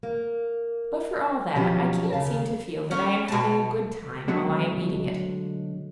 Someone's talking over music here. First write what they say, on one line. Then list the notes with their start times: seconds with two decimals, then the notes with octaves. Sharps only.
But for all that I can't seem to feel that I am having a good time while I am eating it.
0.03 A#3
1.55 B2 F3 F#3 C#4 G4
2.13 D#2 C#3 F5 A5
2.91 A3 C#4
3.28 B2 A5
4.28 B2 D3 F#3 G#3 A3